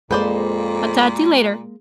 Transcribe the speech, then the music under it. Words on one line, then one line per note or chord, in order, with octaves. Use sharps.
I'll talk to you later.
F2 A#2 G#3 A#3 B4 C5 D5